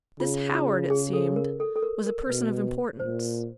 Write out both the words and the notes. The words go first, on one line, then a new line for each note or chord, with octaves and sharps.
This Howard, it seemed, was a person of importance.
C#3 F4
F4
G#4
A4
A#4
A4
A4
A#4
A#4
B2 B4
A#2 C5